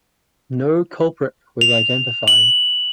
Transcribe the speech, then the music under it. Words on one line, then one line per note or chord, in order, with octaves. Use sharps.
No culprit was identified.
F7
F#7